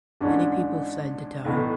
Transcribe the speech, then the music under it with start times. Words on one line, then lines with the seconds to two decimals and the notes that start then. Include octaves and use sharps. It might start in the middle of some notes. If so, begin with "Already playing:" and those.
Many people fled the town.
0.21 G#1 G#2 E3 G#3 C#4 D4
1.45 B1 A2 E3 B3